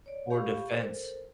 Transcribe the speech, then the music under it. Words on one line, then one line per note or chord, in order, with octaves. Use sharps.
Or defense.
C#5 D5
G4 F5 B5 C#6
A4 A#4 C5